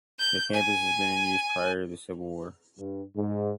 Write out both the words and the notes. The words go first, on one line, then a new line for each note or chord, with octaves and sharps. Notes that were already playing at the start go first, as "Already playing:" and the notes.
The campus has been in use prior to the Civil War.
G6
G#5
G2
G#2